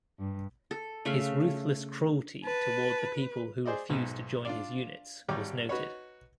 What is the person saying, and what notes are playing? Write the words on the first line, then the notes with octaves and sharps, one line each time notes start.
His ruthless cruelty toward the people who refused to join his units was noted.
G2
A4
C#3 A3 E5 F5
B4 A5
G#4 C5 D5 D#5
B1 G#2 B2
D4 F4 D5
G#1 G3 C#5 G5 D6
D#4 F#4 B4 C#5